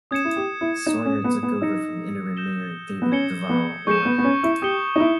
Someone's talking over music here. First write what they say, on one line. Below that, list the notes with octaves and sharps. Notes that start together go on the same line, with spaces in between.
Sawyer took over from interim mayor David Duvall Orr.
C#4 D#6 G#6 C#7 E7
E4
G4
E4
D#4 G#6 C#7 E7
C#4
B3
B3
D#4 E6 A#6 C#7 E7
G6 A#6 E7 G7
B3
C#4 G#6 C#7 G7
B3
G#3 C#6 G6 C#7 E7
B3
B3
C#4
E4
G4 D#6 G6 C#7 G7
D#4
E4